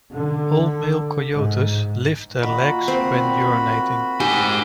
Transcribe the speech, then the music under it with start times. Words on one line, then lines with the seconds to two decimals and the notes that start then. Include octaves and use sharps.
All male coyotes lift their legs when urinating.
0.14 D3
1.33 G#2
2.42 A#2 D#3 F#4 B5
2.88 C4 G4
4.20 D#4 G4 G#4 G#5